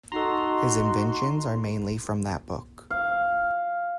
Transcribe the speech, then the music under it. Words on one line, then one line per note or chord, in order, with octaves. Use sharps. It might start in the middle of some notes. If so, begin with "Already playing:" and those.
His inventions are mainly from that book.
D#4 F#4 A4 A#5 C6
F5